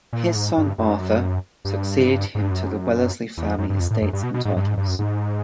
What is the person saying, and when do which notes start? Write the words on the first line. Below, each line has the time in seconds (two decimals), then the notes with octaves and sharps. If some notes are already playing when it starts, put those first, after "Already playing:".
His son, Arthur, succeeded him to the Wellesley family estates and titles.
0.13 A#2
0.25 A2
0.35 G#2
0.58 G2
0.78 F#2
1.65 G2
2.35 G#2
2.42 G2
2.51 F#2
3.38 E2
3.48 F2
3.58 F#2
3.70 G2
3.80 F2
3.91 A2
4.02 F#2
4.13 G2
4.23 B2
4.34 B2
4.45 G#2
4.56 G2
4.67 G#2
4.77 G2
4.87 F#2
4.99 G#2